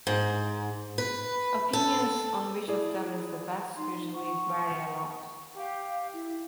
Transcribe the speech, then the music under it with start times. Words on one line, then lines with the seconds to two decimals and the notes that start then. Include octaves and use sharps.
Opinions on which of them is the best usually vary a lot.
0.07 G#2
0.98 B4
1.73 A4
2.68 E4 G#4 D5
3.77 D#4 C6
4.15 F#5 C#6
5.57 G4 F5
6.13 E4